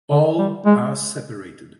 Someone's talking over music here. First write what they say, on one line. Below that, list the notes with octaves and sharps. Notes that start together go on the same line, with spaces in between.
All are separated.
D3
G3
G#3